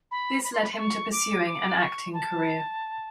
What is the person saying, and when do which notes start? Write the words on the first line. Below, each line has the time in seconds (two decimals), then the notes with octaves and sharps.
This led to him pursuing an acting career.
0.11 B5
0.44 B5
0.53 C6
0.62 B5
0.72 C6
0.78 C#6
1.12 D6
1.46 D6
1.79 C#6
2.14 A5